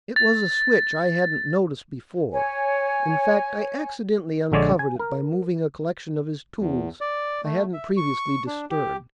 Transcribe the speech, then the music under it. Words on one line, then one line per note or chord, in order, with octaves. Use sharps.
It was a switch I hadn't noticed before--in fact, I accidentally uncovered it by moving a collection of his tools I hadn't previously disturbed.
A6
C#5 G#5
A#1 D3 G#3 C#5 D5
G#5
A#4
E2
D5
A3
E5
C#6
D4
G4